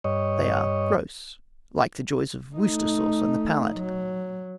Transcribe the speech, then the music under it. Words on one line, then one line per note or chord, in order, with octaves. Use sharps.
They are gross, like the joy of Worcester sauce on the palate.
G2 C#5 D#5
A3 D#4
F#3